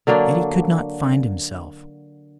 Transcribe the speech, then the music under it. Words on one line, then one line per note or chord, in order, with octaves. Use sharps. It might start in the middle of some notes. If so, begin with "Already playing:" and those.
Yet he could not find himself.
D3 F#3 A#3 D4